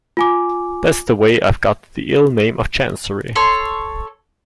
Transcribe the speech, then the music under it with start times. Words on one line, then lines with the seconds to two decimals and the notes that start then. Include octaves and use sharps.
That's the way I've got the ill name of Chancery.
0.17 F4 G#5 D6
3.36 A4 C#5 C6